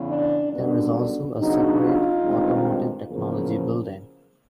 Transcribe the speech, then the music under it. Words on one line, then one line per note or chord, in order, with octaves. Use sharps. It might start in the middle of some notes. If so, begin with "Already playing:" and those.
There is also a separate automotive technology building.
Already playing: E2 C#3 E3
D4
F#2 D3 G3 B3 D4
C#3 F#3 B3 D4 D#4
D#4 F4
G2 D#3 G#3 C4
E2 C#3 F3 A#3